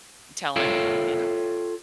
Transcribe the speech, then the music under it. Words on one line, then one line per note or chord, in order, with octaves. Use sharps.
telling you know,
F4 A4 C#5 E5 F5 G5